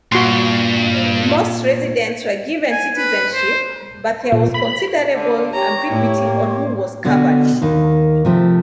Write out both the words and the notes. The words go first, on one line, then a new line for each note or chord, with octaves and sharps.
Most residents were given citizenship, but there was considerable ambiguity on who was covered.
G2 A#2 F#4 C6
G#5
B4
C5
A#2
B5
D3
G4 C#5 A#5
A2 E4
A2 A#3
B2 D3 F#5
D#2 D#3
C3 F3 A3